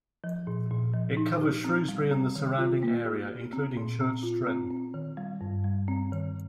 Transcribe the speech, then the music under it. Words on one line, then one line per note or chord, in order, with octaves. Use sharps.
It covers Shrewsbury and the surrounding area, including Church Stretton.
F3
A#2
A#2
F3
D#4
G4
C4
G3
C4
D#3
F4
A#3
G4
G4
C4
A#2
C4
F4
C4
C4
D#3
G3
G2
G3
C4
D#3